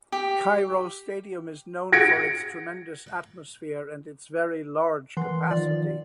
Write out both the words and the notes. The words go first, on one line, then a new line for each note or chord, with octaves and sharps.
Cairo Stadium is known for its tremendous atmosphere and its very large capacity.
G4
G#6 A#6 C#7 D7
E3 A#4 F#5 C6
D#3 F3 F4 D5